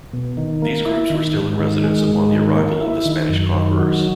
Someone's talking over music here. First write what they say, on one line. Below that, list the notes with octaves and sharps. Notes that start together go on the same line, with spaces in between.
These groups were still in residence upon the arrival of the Spanish conquerors.
B2
D#3
A#3
E4
D#3
G#2
D#3
G#3
G#2
D#3
A#3
E4
D#3
F#2
D#3
F#3